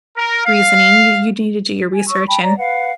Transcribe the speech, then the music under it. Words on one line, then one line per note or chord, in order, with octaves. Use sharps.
reasoning, you you do need to do your research, and
A#4
F5
G#5
C#5 C#6 E6
G5 A5 B5
C#5 D5 A#5
B4 F5 F#5